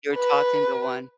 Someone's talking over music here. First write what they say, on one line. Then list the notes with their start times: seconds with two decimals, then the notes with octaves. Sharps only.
You're talking to one.
0.16 B4